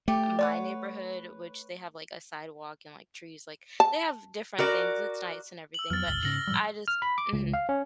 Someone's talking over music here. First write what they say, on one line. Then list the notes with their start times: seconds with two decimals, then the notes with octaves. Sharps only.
my neighborhood, which they have, like, a sidewalk and, like, trees. Like, they have different things. It's nice and everything, but I just mhm.
0.08 A3 G4 D5
0.39 B4 C#5 D5 F#5
3.80 A5
4.58 F#4 A#4 D5
5.74 E6 F#7
5.90 F2 F#3 B3 F6 A6
6.07 G1 C#2 G7
6.23 G#2 C#3 C#4 A#6 F#7
6.47 A2 F3 G3 E6
6.88 F6
7.02 B5
7.18 D6
7.33 C#2
7.54 F5
7.69 C#4